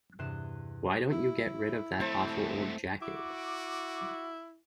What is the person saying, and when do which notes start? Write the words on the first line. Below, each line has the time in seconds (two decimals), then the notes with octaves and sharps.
Why don't you get rid of that awful old jacket?
0.19 E2 G2 C3 C6 F#6 E7
1.12 E4
2.00 A3 C4 C5 A5
3.02 E4 F#4 D6